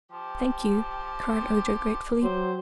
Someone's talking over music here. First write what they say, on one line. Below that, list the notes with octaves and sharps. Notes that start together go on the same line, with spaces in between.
"Thank you!" cried Ojo gratefully.
F3 G4
F#3 C5